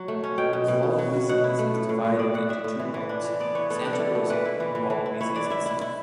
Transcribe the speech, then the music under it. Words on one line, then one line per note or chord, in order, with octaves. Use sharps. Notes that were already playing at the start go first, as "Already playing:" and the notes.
Hualahuises is divided into two parts: Santa Rosa and Hualahuises itself.
Already playing: F#3
A3
C#4
B2 G5
B2
B2
B2
F#3
F#3
B2 F#5
E4
A3
A2
A2
A2
A2 D5
A2 F#5
A2 E5
A2
E3
E3
D4
E3
B3 D5
B3 C#5
B3 A4
D4 G4
A4
E4
A3
E3 B4
E4
E3
E3
E3
E4
E4 C#5
E3 D5
E4 E5
E4
E4